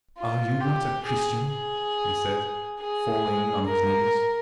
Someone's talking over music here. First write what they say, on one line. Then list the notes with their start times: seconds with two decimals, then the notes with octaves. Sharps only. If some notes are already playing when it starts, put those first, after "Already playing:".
"Are you not a Christian?" he said, falling on his knees.
0.18 F4
0.60 G4
1.04 G#4
1.48 G#4
2.79 G#4
3.67 A#4